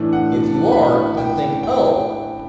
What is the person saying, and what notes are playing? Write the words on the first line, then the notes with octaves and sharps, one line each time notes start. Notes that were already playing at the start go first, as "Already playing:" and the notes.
If you are, then think Oh!
Already playing: A2 E3 A3 D4
F#5
A5
B5
G5
G5